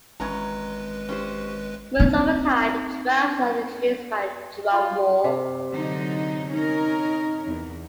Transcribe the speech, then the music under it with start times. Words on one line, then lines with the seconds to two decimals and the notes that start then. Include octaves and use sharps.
Most of the time, the drops are introduced by a drum roll.
0.20 G#1 E2 G#3 C#4 B4 A#5
1.09 C#4 G4 C5
2.00 C4 D#4
4.72 F4
5.24 C3
5.72 D3 F#3 D#4
6.51 C#4 D#4 A#4
7.46 E2